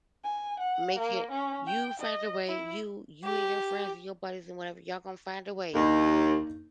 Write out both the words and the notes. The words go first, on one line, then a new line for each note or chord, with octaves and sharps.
make it you find a way. You you and your friends and your buddies and whatever, y'all gonna find a way
G#5
F#5
A#3
C#4
G5
D#5
E4
G4
D#2 A#3 D4 D#4